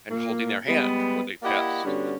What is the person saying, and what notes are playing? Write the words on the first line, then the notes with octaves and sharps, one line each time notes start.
and holding their hand when they passed.
A#2 A#3
G3 G#3 B3
A#3 E4 G4 D5 D#5 F#5
G2 D3 G3 B3 C#4 F#4